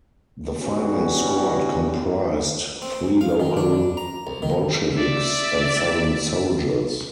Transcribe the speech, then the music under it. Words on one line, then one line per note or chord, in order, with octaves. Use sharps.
The firing squad comprised three local Bolsheviks and seven soldiers.
B3 C#4 D4 E4 F#4 G4
C4
F5
D#3
D4
A#5
C2
D#3
D5 E5